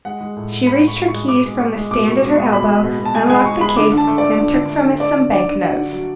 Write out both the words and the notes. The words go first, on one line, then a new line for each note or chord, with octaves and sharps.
She reached her keys from the stand at her elbow, unlocked the case, and took from it some bank-notes.
G#3 F#5
G#3
A2
A2
A2 B5
G#3 C#6
A2
C#6
G#3
B2 D6
G#3
G#3 C#6
G#3
B2 D6
B2 C#6
B2
G#3 C#6
B2 B5
G#3
B2
B2
A5
G#3 G#5
G#3 G#5
G#3 C#6
G#3 B5
D3 D6
D3
A5
A3
A3 D5
D3
D3
A3
D3
A3 D5
D3
D3 D5
D3
F#3 F#5
D3
F#3